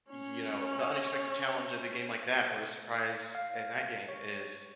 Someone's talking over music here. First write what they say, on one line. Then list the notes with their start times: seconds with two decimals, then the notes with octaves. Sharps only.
you know, the unexpected challenge of a game like that or a surprise in that game, is
0.10 C#4 C#5
3.35 F5
4.09 C#5